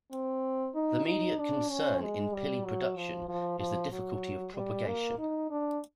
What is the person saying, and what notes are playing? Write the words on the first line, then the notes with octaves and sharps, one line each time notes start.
The immediate concern in pili production is the difficulty of propagation.
C4
D#4
D#4
D4
C#4
G#3
G3
F#3
F3
F3
F3
F#3
G3
A#3
D#4
D4